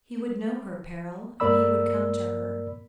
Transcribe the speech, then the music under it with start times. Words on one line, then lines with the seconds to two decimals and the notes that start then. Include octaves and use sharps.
He would know her peril and he would come to her.
1.40 G2 A#3 A#4 D5 B5 E6